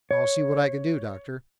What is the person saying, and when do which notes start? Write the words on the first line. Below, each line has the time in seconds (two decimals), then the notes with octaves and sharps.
"I'll see what I can do, Doctor."
0.11 C#5